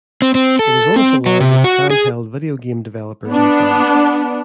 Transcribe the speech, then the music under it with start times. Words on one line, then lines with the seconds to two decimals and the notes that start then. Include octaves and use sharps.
It is one of the largest handheld video game developers in France.
0.22 C4
0.35 C4
0.59 A4
0.96 C4
1.26 F#3
1.40 C3
1.64 F#4
1.90 G#4
3.27 B3 D4